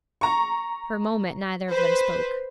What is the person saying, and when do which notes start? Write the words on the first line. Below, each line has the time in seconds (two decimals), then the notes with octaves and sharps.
For a moment neither of them spoke.
0.21 A#5 C#6
1.70 B4 C5